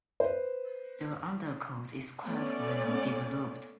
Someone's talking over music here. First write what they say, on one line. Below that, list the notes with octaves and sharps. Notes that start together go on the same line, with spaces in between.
The undercoat is quite well developed.
B4 C5
A3 B3 C#4 D5